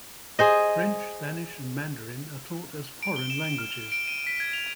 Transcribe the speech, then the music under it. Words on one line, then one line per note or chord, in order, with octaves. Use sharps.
French, Spanish, and Mandarin are taught as foreign languages.
G#4 C5 D#5
D7
G7
E7
G7
F6
G7
D7
D#7
B6
G#6
F7